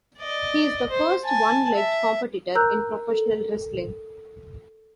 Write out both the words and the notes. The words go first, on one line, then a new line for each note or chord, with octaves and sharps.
He is the first one-legged competitor in professional wrestling.
D5 D#5
C5
G#5 A5
E5
A#4 A#5 E6 F#6 G6
A4